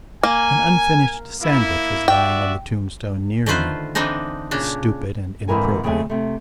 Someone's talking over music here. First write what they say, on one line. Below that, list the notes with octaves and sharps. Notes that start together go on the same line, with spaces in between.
An unfinished sandwich was lying on the tombstone near me; stupid and inappropriate.
A#3 G#5
A#3 E4
F#4 D5 E5 G5
D3 D#3 A3 F4 B4 C5
D3 E3 C4 D4 D#4
A#2 C#3 D4
F2 G#2 D3 E3 A#4 G#5
D#2 C#3 F#3 A3 C4 G#4
C3 A3